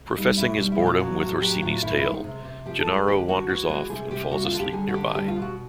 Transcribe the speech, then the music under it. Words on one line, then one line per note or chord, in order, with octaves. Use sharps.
Professing his boredom with Orsini's tale Gennaro wanders off and falls asleep nearby.
G3 D#4
B2 E4
G3 D#4
E4
B2
F4
F#3 F#4
A2 F#4
F#3 G4
A2 F4
D#3 E4
E4
G#3
D#4
C3
C3
F3 G4
A4
G#3
G#4
D3 G4
D3 F#4
E3 F#4
G#3 F#4
C3 G#4
C3 G4
G3 F#4
F4
D3
G4
G3 G#4
F#4
D3 G4
G3 G4
F4
B2
F#4